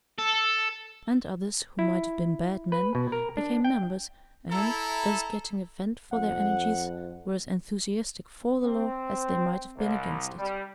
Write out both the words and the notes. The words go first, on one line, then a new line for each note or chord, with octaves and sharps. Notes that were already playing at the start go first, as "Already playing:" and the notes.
And others, who might have been bad men, became members and, thus getting a vent for their energies, were as enthusiastic for the law as they might have been against it.
A4
E4
B4
B2
A#4
D4
G5
E4 A4 A#5
F2 F#5
C4
C2
G3